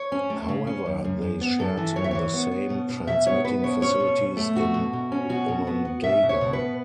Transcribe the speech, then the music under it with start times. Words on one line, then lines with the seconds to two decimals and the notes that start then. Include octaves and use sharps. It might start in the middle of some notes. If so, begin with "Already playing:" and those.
However, they shared the same transmitting facilities in Onondaga.
Already playing: C#5
0.12 C#4
0.30 A3
0.49 C#3
0.67 C#4
0.86 F#2
1.05 F#2
1.22 F#2
1.41 B3
1.59 F#2 A4
1.77 E3
1.96 F#2 C#5
2.04 E5
2.11 E3 C#5
2.34 B3
2.51 B3
2.70 B2
2.89 B2
3.07 B2 E5
3.26 B3 C#5
3.44 B3 B4
3.63 B2 C#5
3.82 C#4 C#5
4.00 B2
4.18 B2
4.37 A3
4.55 B2 F#4
4.74 B2
4.93 B2
5.12 C#4
5.29 B2 F#4
5.48 B2
5.67 B3
5.85 B3
6.04 B2 E5
6.23 B2
6.29 C#5
6.41 B2
6.53 B4
6.59 B3